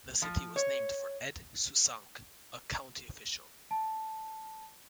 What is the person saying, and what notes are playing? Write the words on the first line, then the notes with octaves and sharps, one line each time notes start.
The city was named for Ed Susank, a county official.
F3
C#5
A5